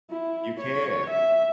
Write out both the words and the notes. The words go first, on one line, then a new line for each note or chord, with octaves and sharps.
You can.
E4
C#5
E5